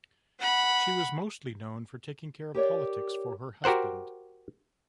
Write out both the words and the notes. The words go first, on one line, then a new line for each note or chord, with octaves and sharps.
She was mostly known for taking care of politics for her husband.
F#5 B5
G4 A#4 C#5 D5
F#4 G4 A#4 C5 F#5